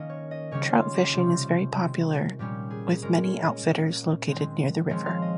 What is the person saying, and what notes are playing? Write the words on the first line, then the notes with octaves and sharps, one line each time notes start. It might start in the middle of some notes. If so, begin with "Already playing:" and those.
Trout fishing is very popular with many outfitters located near the river.
Already playing: D#3 A#3 C#4 A#4 D#5 F5
C#5
D#5
C#3 G3 C#4 C#5
F4
G4
C3 G3 C#4 F4
D#3 G#3 C4
A#2 G3 C#4 G4
G#4
A#2 G#3 C#4 A#4
C#5
D#5
A#2 G3 A#3
D#3 G#3 C4
F3 G#3 C4 C#5
F5
D#5